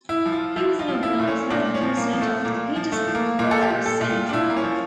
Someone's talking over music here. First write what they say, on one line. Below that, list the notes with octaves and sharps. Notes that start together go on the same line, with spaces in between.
He was an organizer and President of the Peterborough Savings Bank.
E4
F3
F4
F3 E4
F4
F3
E4
A#2
C#4
A#2 D4
C#4
F3
A#3
F3
A3
A#2 A#3
F3
A3
F3
A#3
A#2 A#3
A4
G4
A#2
A4
A#2
F4
D4
A#2 E4
A#3
C#4
F3